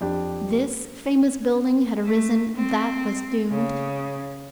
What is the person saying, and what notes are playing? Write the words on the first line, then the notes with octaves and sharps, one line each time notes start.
This famous building had arisen, that was doomed.
F2 D4 G4
A3
C4
C#3